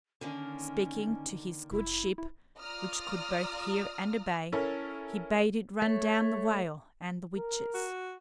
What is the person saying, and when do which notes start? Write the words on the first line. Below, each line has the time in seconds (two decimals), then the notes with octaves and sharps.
Speaking to his good ship, which could both hear and obey, he bade it run down the whale and the witches.
0.21 D3 D#3 A#3 C#4
1.71 F1 E4
2.18 E4
2.59 F4 D5 A#5 D#6 F6
4.52 C#4 E4 A4 A#4 C#5
5.82 A3 C#5
7.36 A#4
7.74 F#4